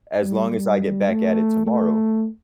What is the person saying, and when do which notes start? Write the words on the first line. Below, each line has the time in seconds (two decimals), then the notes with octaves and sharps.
as long as I get back at it tomorrow."
0.23 G3
0.51 G3
1.09 A3
1.67 A3